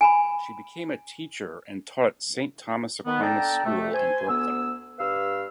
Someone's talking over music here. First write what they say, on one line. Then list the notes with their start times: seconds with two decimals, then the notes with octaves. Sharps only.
She became a teacher, and taught at Saint Thomas Aquinas School in Brooklyn.
0.01 G#5 A#5 B5
3.06 D#3 B3
3.22 D4 A4 G5 A5 A#5
3.64 C3 A3
3.94 C5 G#5
4.29 D2 B3 E6
4.99 G2 B4 F5 E6